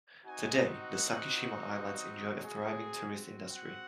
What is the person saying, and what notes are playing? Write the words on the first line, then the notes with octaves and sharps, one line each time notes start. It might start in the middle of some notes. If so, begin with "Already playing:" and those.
Today the Sakishima Islands enjoy a thriving tourist industry.
C4 D#4 F#4 G#5
F#5
D#5
C4 F#4 G#4
F#5